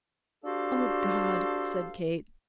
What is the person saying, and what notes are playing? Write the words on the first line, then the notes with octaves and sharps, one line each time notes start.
"O God!" said Kate.
D4 F#4 G4 A4 C5 F5